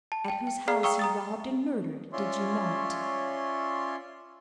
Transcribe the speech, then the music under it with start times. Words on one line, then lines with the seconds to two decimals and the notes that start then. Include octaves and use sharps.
"At whose house you robbed and murdered, did you not?"
0.12 A5
0.28 G5 A5
0.47 G5
0.68 G#4 D5 F5 A#5 F6 C7
0.83 F5 G5 A#5 C#6 D#6 E6
0.99 A#5 D#6 A6
2.13 C#4 F4 C#5 D5 E5 C6